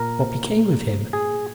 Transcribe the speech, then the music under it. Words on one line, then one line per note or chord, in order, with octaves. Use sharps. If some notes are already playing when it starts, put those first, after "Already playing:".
What became of him?
Already playing: A#2 A#4
G#4